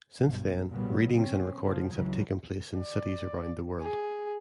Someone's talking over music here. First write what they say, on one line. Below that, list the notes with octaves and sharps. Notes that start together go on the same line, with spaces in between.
Since then, readings and recordings have taken place in cities around the world.
B1 G2
B1 A#2 C#3 F#3 G3 B3
C4 C#4
C#3 F3
C#2 E3 F#3
D5
G#4